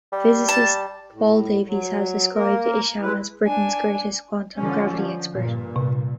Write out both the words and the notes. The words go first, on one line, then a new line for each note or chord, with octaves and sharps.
Physicist Paul Davies has described Isham as Britain's greatest quantum gravity expert.
G3
A5
A2
F#3
A#3 A#4
G#3 E4 B4
D4 G#5
D3 F3 C#4
F3
G2 A#2
C3